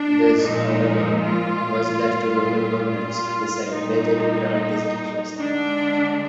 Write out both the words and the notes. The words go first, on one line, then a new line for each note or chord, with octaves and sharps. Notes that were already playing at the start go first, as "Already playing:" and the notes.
This however was left to local governments to decide whether to grant this request.
Already playing: D4
A#2 F3 G#3 D#4
F4
A#2 G3
F4
A#2 G3 D#4
D3 G#3 D4